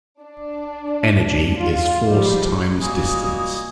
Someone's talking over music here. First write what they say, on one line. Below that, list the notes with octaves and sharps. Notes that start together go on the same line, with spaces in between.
Energy is force times distance.
D4
F4
F3 G3
C#2 G3 A#3 F#4 G#5 D#6